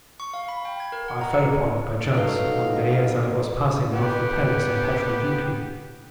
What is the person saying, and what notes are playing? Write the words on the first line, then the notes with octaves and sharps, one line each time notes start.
I fell upon it by chance one day as I was passing above the palace on patrol duty.
C#6
F5
B5
G5
G#6
A#4
F#5
A#5
C#7
F#3 A3 D#4 B4 F5 G7
B3 G4